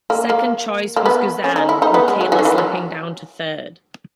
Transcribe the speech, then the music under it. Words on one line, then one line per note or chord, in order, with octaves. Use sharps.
Second choice was Guzan with Taylor slipping down to third.
A#3
A#3
A#3
B3
C#4
D#4
E4
D#4
B3
G#3
F#3
E3
D#3
E3
F#3